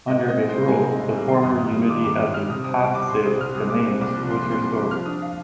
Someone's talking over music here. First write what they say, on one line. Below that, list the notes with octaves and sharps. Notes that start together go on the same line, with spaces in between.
Under his rule the former unity of the Hafsid domains was restored.
G#2 D#5
C4
D#5
A#1
G3 C5
G#2 G#5
C4
A#1
G3
D#3 C6
G2 D#6
G2 D#6
G3 D#6
D#3 D6
G2 D6
G2 D#6
G3 F6
C3 D#6
C4 D#6
C2
G3 D6
C3 C6
C4 D#6
C2 F6
G3 D#6
A#2 D6
C4
C2 D6
F3
A#2 C6
C4
C6
C2
F3 D6
F3 F6
D4 D#6
F5